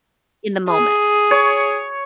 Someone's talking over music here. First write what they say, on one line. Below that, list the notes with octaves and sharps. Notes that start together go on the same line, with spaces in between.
in the moment.
G#4
C#5